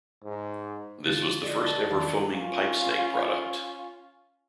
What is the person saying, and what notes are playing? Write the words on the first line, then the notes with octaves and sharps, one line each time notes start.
This was the first-ever foaming pipe snake product.
G#2
D3 F3 G#3 D#6 A6 D7
D5 D#5
B3 A5 A6
E2 D3 D#3 D5 F5 A5
C#4 F4